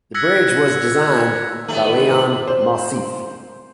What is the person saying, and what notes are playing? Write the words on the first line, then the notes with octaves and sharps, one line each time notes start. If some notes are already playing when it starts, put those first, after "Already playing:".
The bridge was designed by Leon Moisseiff.
E6 F#6 G#6 A#6 B6 C#7
G#2 C3 D#3 E3 A3 B3 F#7
C5